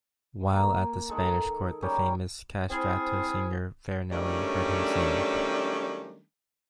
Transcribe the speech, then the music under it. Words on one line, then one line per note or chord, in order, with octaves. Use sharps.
While at the Spanish court, the famous castrato singer Farinelli heard him sing.
A#3
D#3 G#3 A4
G3 C#4 G4 A#4
C4 E4 F4 G#4 C5
D#3 F#3 G3 A3 C#4 D4